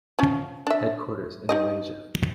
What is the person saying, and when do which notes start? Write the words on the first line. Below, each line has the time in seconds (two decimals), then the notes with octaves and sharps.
Headquarters in Malaysia.
0.19 F3 C#4
0.67 D4 E5
1.49 D#4 G4 D#5